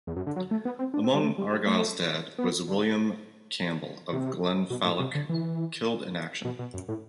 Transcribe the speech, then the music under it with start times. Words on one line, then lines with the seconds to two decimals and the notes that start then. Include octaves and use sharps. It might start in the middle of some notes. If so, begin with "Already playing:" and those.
Among Argyll's dead was William Campbell of Glenfalloch killed in action.
0.07 E2
0.16 F#2
0.27 D3
0.36 F#3
0.51 A3
0.65 B3
0.79 C4
0.94 D4
1.04 C4
1.14 G3
1.23 A3
1.38 G3
1.52 G3
1.67 A3
2.39 B3
2.68 D3
4.13 C3
4.70 B2
4.85 A2
5.00 C3
5.15 D3
5.29 E3
6.45 B2
6.59 B2
6.74 F#2
6.88 A2